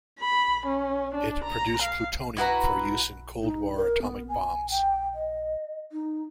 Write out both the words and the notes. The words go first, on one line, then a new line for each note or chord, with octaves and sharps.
It produced plutonium for use in cold war atomic bombs.
B5
C#4
D4
A#5
F5
E4 F#4 B4 A#5
D#4
A#4
B3
G#5
G5
D#5
D#4